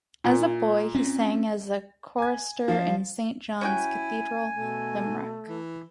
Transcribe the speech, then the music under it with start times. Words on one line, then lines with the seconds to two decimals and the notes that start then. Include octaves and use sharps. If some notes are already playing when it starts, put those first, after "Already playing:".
As a boy, he sang as a chorister in Saint John's Cathedral, Limerick.
0.24 A#2
0.95 C4 C#4
2.18 G#5 G#6
2.68 F3 F5
3.61 C#4 E4 F#4 G5 G#5
4.54 B2 A3
5.48 E3